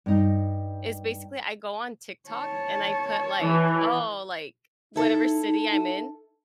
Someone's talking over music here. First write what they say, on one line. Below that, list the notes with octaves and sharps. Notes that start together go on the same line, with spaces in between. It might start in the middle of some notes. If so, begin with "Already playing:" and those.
is basically, I go on TikTok, and I put, like, "Oh," like, whatever city I'm in
G2 D#4
C#5 A5
E3
D#4 E4 A4 E5